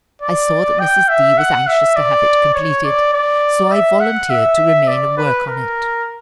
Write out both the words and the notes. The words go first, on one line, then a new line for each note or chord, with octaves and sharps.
I saw that Mrs. D. was anxious to have it completed, so I volunteered to remain and work on it.
D5
G5
E5
F#5
E5
D5
C#5
D5
D5
E5
F#5
E5
D5
B4
A#4